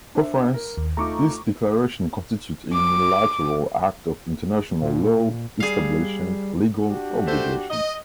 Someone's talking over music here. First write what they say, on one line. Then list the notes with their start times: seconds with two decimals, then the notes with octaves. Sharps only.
For France, this declaration constitutes a unilateral act of international law establishing legal obligations.
0.15 D4 C5 E5
0.54 A#4
0.77 D#2
0.97 A3 D#4 F4 A#5 C#6 D6
2.73 D6
4.82 A#2
5.60 G3 G#4 F5
6.89 D4 F#4 G4
7.27 A3 C5
7.70 D#5